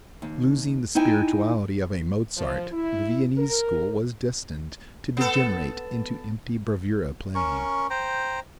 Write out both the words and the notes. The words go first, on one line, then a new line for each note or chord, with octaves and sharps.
Losing the spirituality of a Mozart the Viennese school was destined to degenerate into empty bravura playing.
D#2
D#4 E4 D#5 G5 G#5
F3
E4
A#4
B3 A4
C#4 A#4 C#6
C5 G5 A#5